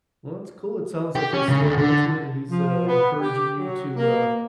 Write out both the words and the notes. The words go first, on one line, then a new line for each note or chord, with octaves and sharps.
Well, that's cool it sounds like he's still into it, and he's, uh, encouraging you to, uh,
G4
C#4
C#3
D2
D3
F3
B3
G4
F#3
A#3